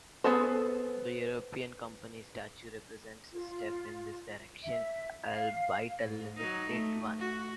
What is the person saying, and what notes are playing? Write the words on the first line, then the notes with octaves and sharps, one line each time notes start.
The European Company Statute represents a step in this direction, albeit a limited one.
B3 G#4 A4 C5
F4
E5
F5
G#2
F#3 D#4
A3
F#4